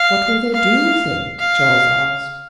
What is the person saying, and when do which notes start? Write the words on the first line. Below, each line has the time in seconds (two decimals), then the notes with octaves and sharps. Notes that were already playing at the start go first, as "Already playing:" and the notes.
"What will they do with him?" Charles asked.
Already playing: F5
0.53 F5
1.39 F5